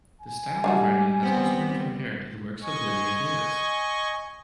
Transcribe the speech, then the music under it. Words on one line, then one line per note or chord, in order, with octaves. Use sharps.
The style of writing has also been compared to the works of Lydia Davis.
G#5
G3 D4 D#4 F#4
B3 C4
D#5 G#5 C#6